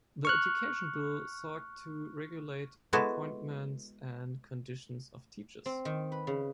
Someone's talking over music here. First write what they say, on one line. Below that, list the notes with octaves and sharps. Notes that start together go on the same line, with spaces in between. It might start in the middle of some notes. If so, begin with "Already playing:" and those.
The Education Bill sought to regulate appointments and conditions of teachers.
C#6 F6 F#6
G#3 B3 E4 F#4 A4
C4
D#3
B4
C#3